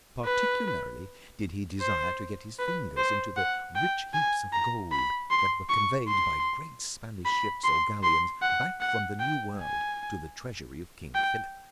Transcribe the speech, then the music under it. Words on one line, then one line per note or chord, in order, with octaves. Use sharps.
Particularly did he desire to get his fingers into the rich heaps of gold that were conveyed by great Spanish ships or galleons back from the New World to the treasury of King Philip.
B4
C5
B4
C5
F#5
G5
G#5
A#5
B5
C6
C#6
C6
B5
C6
C6
F#5
F#5
G5
G#5
G5